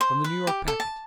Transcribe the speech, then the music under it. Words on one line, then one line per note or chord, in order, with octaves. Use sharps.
From the New York Packet.
C5
B4
G4
A4
A5